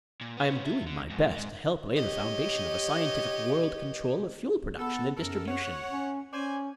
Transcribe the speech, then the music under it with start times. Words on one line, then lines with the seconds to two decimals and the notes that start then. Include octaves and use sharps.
I am doing my best to help lay the foundation of a scientific world control of fuel production and distribution.
0.21 A#2
0.37 B3 C#4
0.65 G#4 E5
0.86 D3
1.10 F2 G#2
1.36 G#2
1.93 G4 C#5 D#5
4.79 B3 A4
5.17 F#2 A4 A#4
5.47 C#5 F#5
5.90 C#4
6.33 C#4 C5 D5 G#5